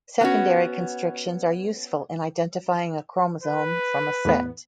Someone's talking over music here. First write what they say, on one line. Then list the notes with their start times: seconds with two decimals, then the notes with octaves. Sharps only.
Secondary constrictions are useful in identifying a chromosome from a set.
0.21 B3 C#4 F#4
3.43 B4
4.25 E2 A2 B3